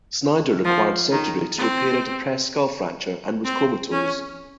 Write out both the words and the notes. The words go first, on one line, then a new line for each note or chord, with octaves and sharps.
Snyder required surgery to repair a depressed skull fracture and was comatose.
F3
D#3
C4
C4
C#4